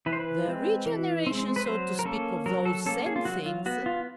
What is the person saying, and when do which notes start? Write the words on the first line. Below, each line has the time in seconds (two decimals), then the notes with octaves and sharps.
"The regeneration, so to speak, of those same things."
0.06 E3 B4
0.13 C5
0.20 B4
0.45 G#3 C4
0.86 E3
1.27 G#3 C4
1.56 B4
1.66 F#3 C5
1.99 A#4
2.05 A#3 C#4 A4
2.46 F#3 A#4
2.65 A4
2.86 A#3 C#4 A4
3.06 G#4
3.16 F4
3.25 F#3 F#4
3.46 F4
3.66 B3 F#4
3.86 F4